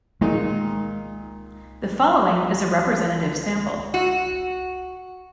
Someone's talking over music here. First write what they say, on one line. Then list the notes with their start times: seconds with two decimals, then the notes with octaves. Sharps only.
The following is a representative sample.
0.21 A#2 D#3 G#3 D#4
3.94 F#4